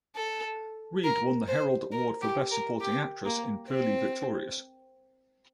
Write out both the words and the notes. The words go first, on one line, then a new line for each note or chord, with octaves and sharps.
Reed won the Herald Award for best supporting actress in "Purlie Victorious".
A4
A#4
C5
A#4
G4
A#4
G4
A#3
C4